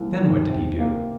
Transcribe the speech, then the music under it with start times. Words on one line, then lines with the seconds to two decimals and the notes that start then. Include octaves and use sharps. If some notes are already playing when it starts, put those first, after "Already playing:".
Then what did he do?
Already playing: C2 A#3
0.19 D#3
0.50 C3
0.79 A#3